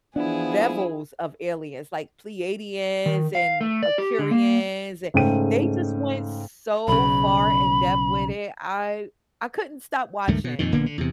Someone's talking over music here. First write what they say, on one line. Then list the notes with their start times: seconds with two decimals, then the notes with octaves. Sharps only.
levels of aliens, like, Pleiadians, and Aqirians and they just went so far in depth with it, I I couldn't stop watching.
0.16 F3 B3 D4 E4 G#4
3.06 D#3
3.35 F5
3.61 A3
3.83 D5
3.98 G4
4.19 D3
4.31 A#3
5.14 G#2 C#3 A3 G5 D#7
6.88 B1 C#3 B5
10.27 C#2 G2 D#3 A3
10.44 B2
10.59 F2 A#2 D#3
10.72 A#1 D3 A#3 B3
10.86 D3
10.98 E2 C3